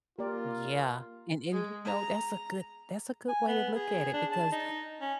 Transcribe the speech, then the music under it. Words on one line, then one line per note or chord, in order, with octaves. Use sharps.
Yeah, and and, you know, that's a good that's a good way to look at it because
A#3 F4 G4 A#4 D5
G#3
A#5
G#5
B3
G#4
D4
A5
D#4
C#4